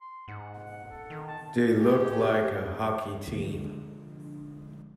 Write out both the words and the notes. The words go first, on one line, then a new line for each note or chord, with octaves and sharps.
They look like a hockey team.
C6
G#2 F#5
A4
D#3
A5
G4 G#4
D3 F3 G#3 D4